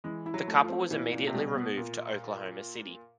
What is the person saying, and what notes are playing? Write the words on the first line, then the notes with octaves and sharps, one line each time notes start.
The couple was immediately removed to Oklahoma City.
E3 G#3
E4
F#3
A3
F3
C4
A#2 E3
A#2
C3
B2 G3
B3
A#2